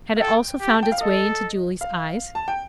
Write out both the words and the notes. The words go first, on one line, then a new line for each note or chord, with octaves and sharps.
Had it also found its way into Julie's eyes?
F5
A4 G5
G4
A5
G5
F5
A4 D#5
F5
A5
G5